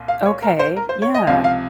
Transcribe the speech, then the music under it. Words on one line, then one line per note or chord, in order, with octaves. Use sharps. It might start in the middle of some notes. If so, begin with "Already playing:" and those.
Okay, yeah.
Already playing: C2 A#2
F5
C#5
A#4
C5
A#4
C5
C#5
D#5
C#2 C3 F3 F5
F5